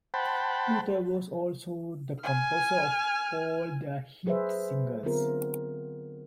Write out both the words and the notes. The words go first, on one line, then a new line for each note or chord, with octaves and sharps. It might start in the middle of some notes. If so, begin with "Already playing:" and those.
Luther was also the composer of all their hit singles.
C5 F#5 G5 A5 B5
G#5 F6
F#3 G#4 B4 C5 E5
D3 F#3 B3 C4 F4 A#4